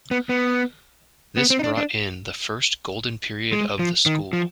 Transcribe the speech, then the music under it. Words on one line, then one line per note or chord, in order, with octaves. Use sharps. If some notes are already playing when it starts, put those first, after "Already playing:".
This brought in the first golden period of the school.
B3
B3
B3
C4
D#4
D4
D4
G#3
F3
D#3
F3